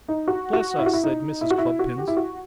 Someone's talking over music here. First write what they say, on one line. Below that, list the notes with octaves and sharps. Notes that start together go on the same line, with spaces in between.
'Bless us!' said Mrs. Cluppins.
D#4
F#4
F#4
E4
F#4
E4
D#4
E4
F#4
E4
F#4
G4
E4
F#4